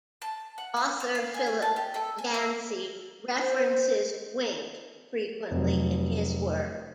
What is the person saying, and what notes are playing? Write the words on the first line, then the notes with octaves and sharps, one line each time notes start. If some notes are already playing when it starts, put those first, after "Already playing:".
Author Philip Yancey references Wink frequently in his work.
A5
F#5
F5
F6
F5
G#5
G#4
A5
G4
A4
G#5
E5
C5
F1 F#3